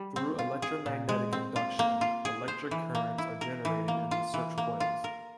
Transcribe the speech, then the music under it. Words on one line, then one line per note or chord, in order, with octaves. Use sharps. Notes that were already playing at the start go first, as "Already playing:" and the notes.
Through electromagnetic induction, electric currents are generated in the search coils.
Already playing: G3
C4
F4
G#4
A#2
G#3
C4
F4
A#3
F4
G#4
C5
E3
A#3
E4
A#4
E3
A#3
F4
E3
A#3
F4
A#4